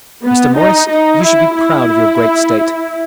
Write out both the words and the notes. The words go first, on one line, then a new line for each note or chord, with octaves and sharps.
Mr. Morris, you should be proud of your great state.
B3
D#4
D#4
E4
E4